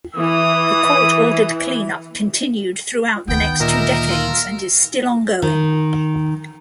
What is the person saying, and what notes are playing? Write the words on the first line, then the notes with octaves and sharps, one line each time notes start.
The court ordered cleanup continued throughout the next two decades and is still ongoing.
E3 D#6
D2 D#3 B3 G5
A#2 A#4 D#5 E5 A#5
F4 E6
D#3